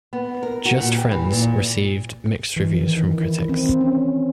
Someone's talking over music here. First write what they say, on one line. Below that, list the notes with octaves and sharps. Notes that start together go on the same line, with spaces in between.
"Just Friends" received mixed reviews from critics.
B3
A#4
F#4
A#2
G4
E3
A#2
E3
D#3
E4
C4
C#4